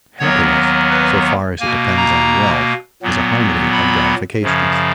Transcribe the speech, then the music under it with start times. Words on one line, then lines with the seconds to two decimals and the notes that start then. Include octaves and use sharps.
Happiness, so far as it depends on wealth, is a harmony of gratifications.
0.19 D#2 D#3 F#3 B3 C#5
0.90 B4
1.60 B2 A#3 G#5
1.96 A#5
3.02 A#2 F#3 B3
3.72 B5
4.42 F#2 C#3 F3